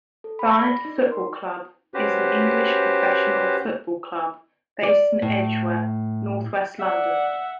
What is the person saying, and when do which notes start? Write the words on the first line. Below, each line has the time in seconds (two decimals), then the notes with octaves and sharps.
Barnet Football Club is an English professional football club based in Edgware, north-west London.
0.24 A4
0.39 B5
0.51 A#6
0.63 D5
0.85 D#4
0.98 A#4
1.12 C6
1.94 C#4 F#4 G4 B4 C5
4.83 D5
5.22 A2
6.79 D5 E5 F#5